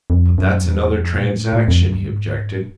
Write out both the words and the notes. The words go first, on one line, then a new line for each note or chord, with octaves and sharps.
"But that's another transaction," he objected.
F2
F#2
F2
E2
F2
A#2
A2
A2
F2
F#2
G2
G#2